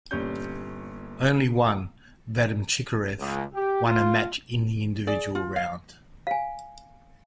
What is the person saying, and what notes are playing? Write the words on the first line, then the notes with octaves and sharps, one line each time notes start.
Only one, Vadim Chikarev, won a match in the individual round.
G1 A#2 G3 C#4 G6
C#2
G4
F4
G#4 D5
F4
F5
F5 G#5